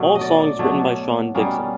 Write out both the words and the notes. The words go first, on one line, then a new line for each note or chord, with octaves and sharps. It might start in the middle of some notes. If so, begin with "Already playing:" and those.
All songs written by Sean Dickson.
Already playing: B2 F#3 A3
D#5
D5
B2 F#3 A3
B2 G3 A#3 C#4